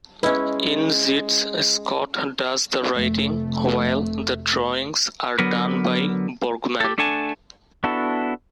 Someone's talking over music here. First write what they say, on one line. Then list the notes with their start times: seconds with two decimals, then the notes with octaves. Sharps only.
In "Zits", Scott does the writing, while the drawings are done by Borgman.
0.23 G#3 C#4 E4 B4 D#5
2.94 F1 A3
5.38 D3 F#3 B3 A#4 B4
6.80 G4 A4
6.98 A3 D4 A4 F#5 G#5 A5
7.84 B3 D4 E4 F#4 A4